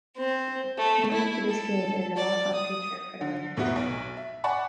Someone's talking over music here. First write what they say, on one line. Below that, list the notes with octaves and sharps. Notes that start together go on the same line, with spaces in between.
Unique to this game is a lock-on feature for the items.
C4
A3
E4
A4
D5
D#6
D3
F1 A2 F#3 B3 E4 F#4
B1
E5
D5 F#5 G#5 A5 B5 C#6